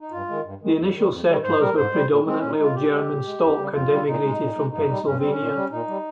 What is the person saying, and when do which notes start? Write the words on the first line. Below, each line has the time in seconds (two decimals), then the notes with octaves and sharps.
The initial settlers were predominantly of German stock, and emigrated from Pennsylvania.
0.01 D#4
0.11 G2 F4
0.28 D#3 G#3
0.44 G2
0.61 D#3 G#3
0.77 F2
0.94 D#3 G3
1.10 F2
1.27 D#3 G3
1.43 G#2 C5
1.60 G3 A#4
1.76 G#2 C5
1.93 G3
2.09 A#2
2.26 G#3 C4
2.39 A#2 C#4
2.51 D#4
2.58 G#3 F4
2.75 A#2 G4
2.91 G#3
3.08 A#2
3.24 G#3
3.41 F2
3.57 C#3 G3
3.74 F2 F4
3.90 C#3 G3
4.06 A#2 D#4
4.23 G#3
4.39 A#2
4.56 G#3
4.72 G2 D#4
4.89 G3
5.05 G2 C#4
5.17 C4
5.22 G3
5.29 C#4
5.39 A#2
5.55 G3
5.71 A#2 D#4
5.88 G3